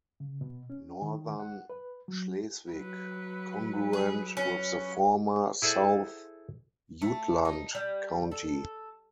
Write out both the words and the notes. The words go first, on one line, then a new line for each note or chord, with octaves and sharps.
Northern Schleswig, congruent with the former South Jutland County.
C#3
B2
C#4
D#3
F#5
B4
F#3
F#3 B4
G#4
C#4
E4 G#4 A4 C5 D5
A3
D#4
G3
A4